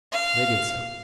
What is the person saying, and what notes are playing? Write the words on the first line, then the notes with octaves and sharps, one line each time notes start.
They did so.
F5